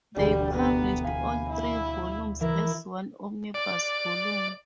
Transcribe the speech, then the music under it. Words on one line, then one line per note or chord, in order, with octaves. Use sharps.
They published all three volumes as one omnibus volume.
E1 D2 G3 G4
B3 A#5
F5 G#5 B5
E4
E3 E4 A#4
D5